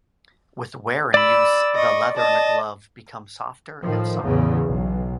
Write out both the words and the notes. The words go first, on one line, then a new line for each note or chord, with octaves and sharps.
With wear and use, the leather in a glove became softer and suppler.
D5 B5 E6
D#5 C#6
D#5 A5
A2 D#3 F3
A1 E2 C#3
B1